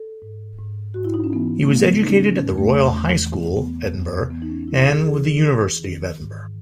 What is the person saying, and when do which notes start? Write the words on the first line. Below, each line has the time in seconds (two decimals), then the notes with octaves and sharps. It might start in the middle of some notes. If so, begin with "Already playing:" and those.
He was educated at the Royal High School, Edinburgh, and the University of Edinburgh.
Already playing: A4
0.22 G#2
0.58 G#2
0.94 G#2 F#4
1.04 E4
1.14 D#4
1.24 C#4
1.33 E3 B3
1.64 A3
1.70 C#3 B3
2.01 D#4
2.07 C#3 C#4
2.33 C#4
2.45 E2
2.58 A3
2.82 E2
3.20 E3
3.57 E2 B3
3.94 E2
4.30 E3 B3
4.42 D#4
4.50 C#4
4.68 E3 E4
4.87 G#4
5.05 E3 G#4
5.43 E3
5.81 D#3
6.18 G#2